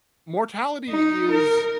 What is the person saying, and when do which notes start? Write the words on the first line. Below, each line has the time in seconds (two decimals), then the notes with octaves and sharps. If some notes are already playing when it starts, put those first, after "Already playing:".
mortality is
0.90 D#4
1.31 A#4